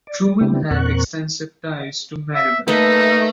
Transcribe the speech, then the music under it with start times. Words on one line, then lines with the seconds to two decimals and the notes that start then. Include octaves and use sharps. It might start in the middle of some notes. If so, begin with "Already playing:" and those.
Truman had extensive ties to Maryville.
0.07 D5
0.41 C#3 B3 C4 D4 E4 G4
0.71 E2 A#2 C4 A#4 C#6 F#6
2.35 E5
2.68 A3 A#3 D#4 A4 B4